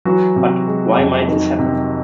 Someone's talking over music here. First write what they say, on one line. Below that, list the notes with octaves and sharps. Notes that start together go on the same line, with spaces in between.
But, why might this happen?
E3 F#3 F#4
C3
G#3
F2
D#3
C3